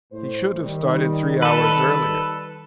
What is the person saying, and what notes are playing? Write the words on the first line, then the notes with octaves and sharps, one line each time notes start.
He should have started three hours earlier.
A2 C5
D#3 G3
A4 B4